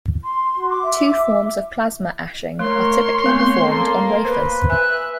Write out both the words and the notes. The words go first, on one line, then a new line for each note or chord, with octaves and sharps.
Two forms of plasma ashing are typically performed on wafers.
C6
F#4
D6
E5
A3 A#4 C#5 C6
A3 B3 C4
A#3 A4
B4 C5
E5 G#5 F#6